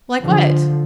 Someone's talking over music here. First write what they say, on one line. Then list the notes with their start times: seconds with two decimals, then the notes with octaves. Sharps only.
"Like what?"
0.22 D3 F3